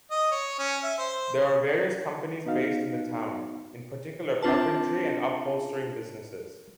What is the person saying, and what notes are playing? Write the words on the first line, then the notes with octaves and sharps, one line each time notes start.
There are various companies based in the town, in particular carpentry and upholstering businesses.
D#5
C#5
C#4
E5
C5
B3 D#4 F#4 F5
C4 D4 F4 B4 A5